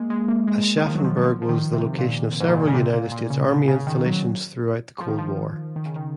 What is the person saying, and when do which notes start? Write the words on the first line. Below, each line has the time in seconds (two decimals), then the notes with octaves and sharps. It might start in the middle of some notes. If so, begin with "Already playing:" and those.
Aschaffenburg was the location of several United States Army installations throughout the Cold War.
Already playing: G#3 A#3
0.10 G#3
0.28 A#3
0.48 G#3
0.77 D#3
0.86 F3
0.95 F#3
1.04 F3
1.17 F#3
1.23 F3
1.42 F3
1.49 D#3
1.73 C3
1.99 A#2
2.40 G#2
2.48 A#2
2.67 C#3
2.74 C3
2.93 A#2
3.11 A#2
3.30 C#3
3.49 C#3
3.68 C#3
3.87 D#3
4.06 F#3
5.01 F3
5.09 D#3
5.18 F3
5.76 D#3
5.86 C#3
5.96 D#3